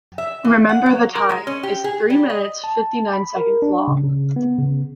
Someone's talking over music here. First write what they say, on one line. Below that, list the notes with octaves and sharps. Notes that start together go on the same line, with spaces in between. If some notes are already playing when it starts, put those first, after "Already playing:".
"Remember the Time" is three minutes fifty nine seconds long.
E5
E3
F#5
F#3
A#4
G#3
C#4
G4
G#4
G3
D#5
A5
B5
A#4
D4
C#3
C#3
B3
C#3